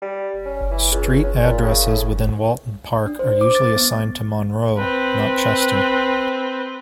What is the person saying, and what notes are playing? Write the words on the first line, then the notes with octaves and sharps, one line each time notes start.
Street addresses within Walton Park are usually assigned to Monroe, not Chester.
G3
C#4
E3
C#2
C#4
A#2
C#3
A2
D4
C5
D6
A6
B3
C4 B4